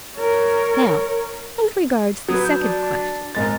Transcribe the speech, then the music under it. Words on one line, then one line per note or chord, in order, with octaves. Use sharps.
"Now as regards the second question."
A#4 C#5
F#3 B4 D#6 G#6
G6
D4
G#1 G#3 A#4 A6